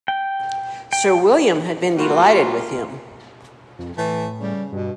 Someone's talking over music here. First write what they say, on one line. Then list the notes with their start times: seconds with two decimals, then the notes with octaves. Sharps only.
Sir William had been delighted with him.
0.08 G5
0.93 G5
1.97 G3 A3 A#3 F4 F#4
3.79 F2
3.98 A2 E3 A3
4.40 C#3 G3
4.72 G2 B2